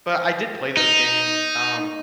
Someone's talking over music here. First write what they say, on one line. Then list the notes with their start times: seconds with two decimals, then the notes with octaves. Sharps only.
but I did play those games, um,
0.77 D#4